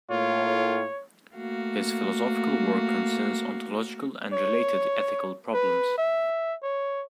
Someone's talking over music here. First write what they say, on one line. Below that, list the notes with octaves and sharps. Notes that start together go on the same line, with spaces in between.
His philosophical work concerns ontological and related ethical problems.
A2 A#3 F4 C#5
A3 A#3 F#4 F5
C#5
B4
E5
C#5